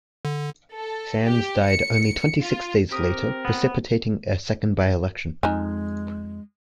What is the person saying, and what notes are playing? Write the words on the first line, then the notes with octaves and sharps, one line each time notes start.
Sands died only twenty-six days later, precipitating a second by-election.
D3
A4
G4
C#7
F4
C4 G4 A#4 D#6
B3
F2 G#3 D#4 G#5